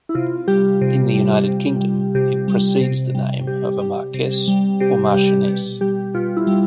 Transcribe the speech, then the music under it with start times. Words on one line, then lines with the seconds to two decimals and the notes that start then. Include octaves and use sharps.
In the United Kingdom, it precedes the name of a marquess or marchioness.
0.09 E4
0.15 C3 F4
0.48 G3 G4
0.81 C3
1.14 G3
1.48 C3
1.81 G3
2.15 C3 G4
2.48 G3
2.81 C3
3.15 G3
3.47 C3 G4
3.82 G3
4.14 C3
4.48 G3
4.80 C3 G4
5.14 G3 G4
5.47 B2 G4
5.81 G3 G4
6.14 B2 F4
6.37 E4
6.47 G3